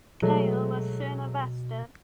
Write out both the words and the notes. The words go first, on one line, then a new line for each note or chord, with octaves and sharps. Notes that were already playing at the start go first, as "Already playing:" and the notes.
Kehl was soon arrested.
B2 F#3 G#3 A3